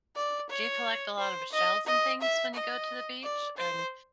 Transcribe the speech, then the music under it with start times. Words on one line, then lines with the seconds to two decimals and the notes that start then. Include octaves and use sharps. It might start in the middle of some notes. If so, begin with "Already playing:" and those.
Do you collect a lot of shells and things when you go to the beach? And
0.16 D5
0.50 C#5
1.19 C5
1.53 D#5
1.87 D#5
2.21 E5
2.55 D#5
3.24 D5
3.58 C5